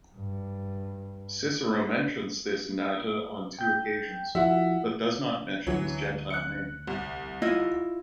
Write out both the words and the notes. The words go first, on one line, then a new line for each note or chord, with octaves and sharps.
Cicero mentions this Natta on two occasions, but does not mention his gentile name.
G2
G5 G6
F3 E4 F#4 E5 F#5
D2 E3 F#3
F#6 C#7
C2
E4 F4 D#5